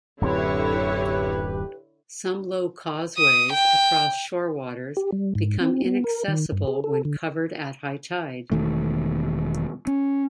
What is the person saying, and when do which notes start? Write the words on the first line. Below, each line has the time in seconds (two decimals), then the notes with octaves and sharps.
Some low causeways across shore waters become inaccessible when covered at high tide.
0.21 D1 F#2 D3 C4 E4 G4 B4 C#5
3.18 D#6
3.53 G5
4.97 G4
5.12 G3
5.35 G#2
5.60 C4
5.85 B3
6.04 A#4
6.28 D#3
6.52 G2
6.68 G#4
6.84 A4
7.05 D3
8.52 E1 D#3 A3
9.87 C#4